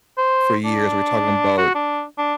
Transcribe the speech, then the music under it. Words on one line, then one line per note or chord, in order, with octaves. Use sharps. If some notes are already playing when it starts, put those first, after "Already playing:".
for years, we're talking 'bout
C5
D4
F#4
D4
D4